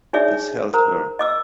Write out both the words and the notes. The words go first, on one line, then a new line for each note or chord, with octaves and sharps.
This held her.
D4 D#4 G#4 C#5 D5 E5
A#4 C5 A#5
D#5 D6 E6